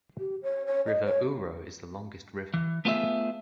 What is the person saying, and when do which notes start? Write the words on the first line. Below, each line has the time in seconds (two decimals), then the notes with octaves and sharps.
River Ouro is the longest river.
0.19 G4
0.43 C#5
0.66 C#5
0.87 D#5
1.05 C#5
2.54 E3
2.85 A3 B3 F4 G#4 B4 E5